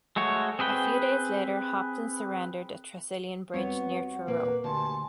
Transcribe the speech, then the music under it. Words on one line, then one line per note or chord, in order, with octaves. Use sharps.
A few days later Hopton surrendered at Tresillian Bridge near Truro.
G#3 A3 F#4 C#5
C4 G#4 B4 G5
E2 G3 B3 C4 F#4 C#5 F#5
A#2 A#3 B4
D2 G4 G#5 A5 C6